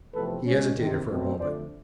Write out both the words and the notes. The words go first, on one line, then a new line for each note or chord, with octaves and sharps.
He hesitated for a moment.
E2 C3 F3 A3 C4 A4 B4
B2 G#3 C#4
E2 C3 D#3
B2 F#3 A3 C4
F2 D3 F3 A3 C5 D5